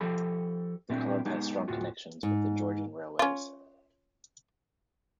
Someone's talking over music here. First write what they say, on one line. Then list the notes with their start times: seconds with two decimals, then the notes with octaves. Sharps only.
The club has strong connections with the Georgian Railways.
0.01 F3 G4 A4 B5
0.89 A#2 A3 C4 D4 E4 G4
1.26 G#3 B3 D#4 G4
1.68 D2 A2 F4 F#4
2.23 G#2
3.19 C#4 F4